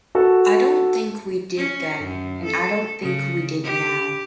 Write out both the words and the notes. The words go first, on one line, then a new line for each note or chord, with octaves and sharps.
I don't think we did then and I don't think we did now.
F#4 A4
C#4
F#2
A4
C#3
G4